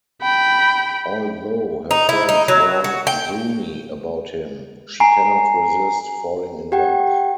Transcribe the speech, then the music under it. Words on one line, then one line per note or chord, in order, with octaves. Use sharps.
Although her friends warn Zooni about him, she cannot resist falling in love.
G5 B5
D#4
E4
D#4
F#3
F#4
G5
G#5 A#5 C7
G4 F#5 G5